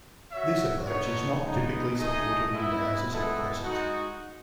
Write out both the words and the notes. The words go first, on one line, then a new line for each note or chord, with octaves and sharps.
This approach is not typically supported in browsers at present.
F#4 C#5 E5
B3 D#4 A4 C#5
G#3 B3 D#4
A3 D#4 G#4 D#5
G#3 B3 E4
G#3 B3 E4 A4
G#3 D#4 F#4